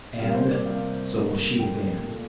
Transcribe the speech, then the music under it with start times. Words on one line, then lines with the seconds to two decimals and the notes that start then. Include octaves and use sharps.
And--so will she, then.
0.19 C3 G3 A#3 F5
0.35 C5
0.50 D5
0.66 C3 G3 A#3 F5
1.13 D3 G3 A#3
1.59 D3 G3 A#3 G5
2.06 A#2 A3